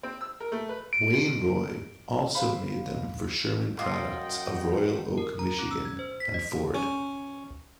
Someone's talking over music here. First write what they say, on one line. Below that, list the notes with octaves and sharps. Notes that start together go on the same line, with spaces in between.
Wain-Roy also made them for Sherman Products of Royal Oak, Michigan, and Ford.
C4
E6
A#4
A3
B4
D7
C5 F5 B5
F#2 F#3 F4 D#5 F#5 G5
A#4
A#5
C#4
E6
G#6
C5
B6
D#5
C#4